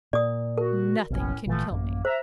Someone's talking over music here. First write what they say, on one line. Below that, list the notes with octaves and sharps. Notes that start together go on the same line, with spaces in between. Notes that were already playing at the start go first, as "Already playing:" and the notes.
"Nothing can kill me."
A#2 D5 D#6
F#4 A#4
F#1 B1 A2 C#4
G#1 A#2 D3 E3 F3 A3
A1 F#2 A#3
C5 E5 A#5